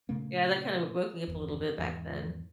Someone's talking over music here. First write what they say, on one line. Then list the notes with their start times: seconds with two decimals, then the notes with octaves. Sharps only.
Yeah, that kinda w woke me up a little bit back then.
0.09 A#2 C#3 A3 A#3
1.27 G1 E2
1.78 E2 G#2